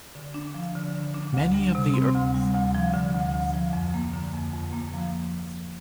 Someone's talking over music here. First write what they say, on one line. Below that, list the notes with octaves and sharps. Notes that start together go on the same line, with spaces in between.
Many of the early settlers came to South Carolina from Lancaster.
D3
D4
F3
D3
D3
D4
D2
G3
C3
C4
D2
G3
D2
F3
D3
D2
D2
F3
F2
A#3
D3
F2
F2
A#3
F3